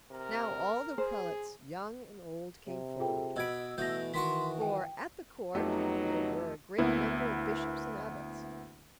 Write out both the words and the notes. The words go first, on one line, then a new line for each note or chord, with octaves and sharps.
Now all the prelates, young and old, came forward; for at the court there were a great number of bishops and abbots.
C3 A#4
G#4 C5
C3
F4 G#4 A4 G5
B2 D#5 B5 E6 G#6 D7
B2 E3 A3 G6 A#6
D#3 F#4 C6 C#6 B6
G5 G#5
F2 F#3 A3 B3 D#4 G4
D2 A#3 B3 E4